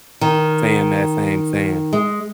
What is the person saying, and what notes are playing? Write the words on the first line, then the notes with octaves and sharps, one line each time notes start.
saying that same saying,
D#3
G#3